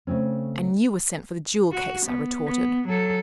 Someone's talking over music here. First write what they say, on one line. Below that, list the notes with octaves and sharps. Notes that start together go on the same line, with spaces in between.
'And you were sent for the jewel-case,' I retorted.
C#3 A3 C4 C#4
F#4
B3
B3
F#3 A4